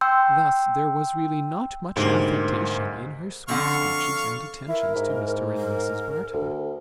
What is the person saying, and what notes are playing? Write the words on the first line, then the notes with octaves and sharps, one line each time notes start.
Thus there was really not much affectation in her sweet speeches and attentions to Mr. and Mrs. Barton.
G5 C6 E6 G6
D2 G#2 C3 A#3
F2 D3 F5 F#5 C#6
E4 A#4
G#2
A#4
D2